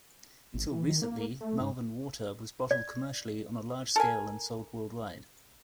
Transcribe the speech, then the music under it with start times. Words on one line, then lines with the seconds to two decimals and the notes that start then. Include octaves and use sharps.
Until recently, Malvern water was bottled commercially on a large scale and sold worldwide.
0.54 G#1
0.71 E3
0.88 D#3
1.02 A#3
1.41 A3
1.61 G#2
2.71 D5
3.96 A4 A#4 G#5